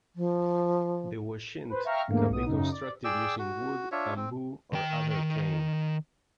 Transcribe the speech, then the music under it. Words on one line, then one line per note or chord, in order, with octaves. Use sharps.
The "washint" can be constructed using wood, bamboo, or other cane.
F3
B4 C5
E5 F5 G5 A#5 C#6 F6
E2 G#2 D3 A3 A#3
B1 B2 D#6
F#2 C#3 D#4
D5
G#4 D5 G5 E6
F#4
D4 F4 C#5 E5
C4
D#3 G5